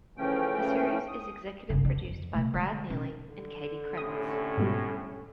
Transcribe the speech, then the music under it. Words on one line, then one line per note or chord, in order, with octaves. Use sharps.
The series is executive produced by Brad Neely and Katie Krentz.
C#3 E3 F3 A3 C#4 G5
D#6
G1 C#3
E2 D3
F2
B2 A3
D3 G#3
B2 C#4
D3
A2 C3 C#4 D#6
G#2 B2 G3